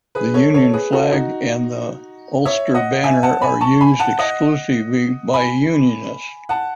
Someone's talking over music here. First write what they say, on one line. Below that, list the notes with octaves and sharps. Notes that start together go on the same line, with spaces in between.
The Union Flag and the Ulster Banner are used exclusively by unionists.
G#4 B4
A4 C#5
A4 C#5
G#4 B4
F#4 A4
D#4 F#4
C#5 E5
D#5 F#5
E5 G#5
F#5 A5
G#5 B5
A5 C#6
G#5 B5
F#5 A5
D#5 F#5
G#5 B5
F#5 A5